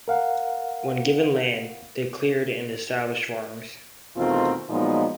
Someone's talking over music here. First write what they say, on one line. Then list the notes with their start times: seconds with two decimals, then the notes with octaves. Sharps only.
When given land, they cleared and established farms.
0.08 A#4 F5 F#5
4.16 E2 B2 D#3 A3 C4 F4
4.69 A#2 F3 F#3 G#3 B3 D#4